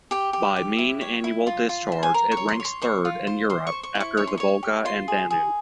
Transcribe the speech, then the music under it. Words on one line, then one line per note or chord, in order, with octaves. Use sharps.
By mean annual discharge it ranks third in Europe, after the Volga and Danube.
G4 G5
G4
G4
E4
C#5
E4
F4
F4
C5
G#5
A#4 A#5
C#6
C#5
C6
C#5
C6
C5 C#6
F4
C5
C5 C6
C#6
C5
C#6
E4
C#6
C#5 C#6
C6
C#5 C#6
G4
F4 C6
G#4
G#4